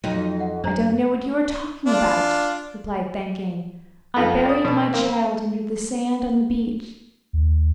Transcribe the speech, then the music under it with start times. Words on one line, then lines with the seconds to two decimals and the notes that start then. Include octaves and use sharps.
'I don't know what you are talking about,' replied Thakane. 'I buried my child under the sand on the beach.'
0.04 F2 F#3 D#4
0.40 F#5
0.64 F#2 D4 C5 A#5
1.87 D4 F4
4.16 F2 F4
4.46 D5 D#6
4.65 B2
4.94 A#3 C4
7.33 D#2